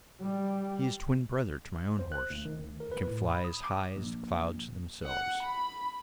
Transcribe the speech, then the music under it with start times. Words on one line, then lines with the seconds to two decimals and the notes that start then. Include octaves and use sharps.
He is twin brother to my own horse, and can fly as high as the clouds themselves.
0.21 G3
1.99 C5
2.12 F#6
2.30 D2
2.45 D#3
2.59 D2
2.80 A#4
2.92 B4
3.07 A2
3.30 B5
3.44 D#6
3.64 D6
3.96 A#1
5.03 F#5
5.43 B5